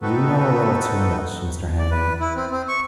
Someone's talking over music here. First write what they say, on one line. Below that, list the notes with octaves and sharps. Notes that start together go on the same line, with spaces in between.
You know a little too much, Mr Hannay.
B3 C4 D#4 F#4 A4 B4
D5
B4
E4
C4
C4
C#6